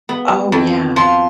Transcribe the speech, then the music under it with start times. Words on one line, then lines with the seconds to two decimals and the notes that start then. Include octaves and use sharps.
Oh, yeah.
0.09 B3
0.52 F2
0.96 F3 C6